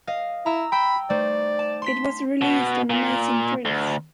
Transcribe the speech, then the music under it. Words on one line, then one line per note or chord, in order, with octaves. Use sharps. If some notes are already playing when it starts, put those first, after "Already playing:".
It was released on Amazing Thrills!
D#5 F5
E4 A#5 E6
G5 B5 E6
A3 D#4 C5 D5
A5
C6 B6
B2
A#2
D2